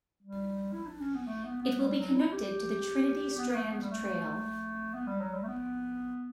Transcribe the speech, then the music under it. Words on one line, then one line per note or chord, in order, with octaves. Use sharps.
It will be connected to the Trinity Strand Trail.
G3
E4
D4
C#4
B3
A3
B3
B3
G3
F#3
E4
G4
B3
A3
B3
G3
A3
B3
G3
F#3
G3
A3
B3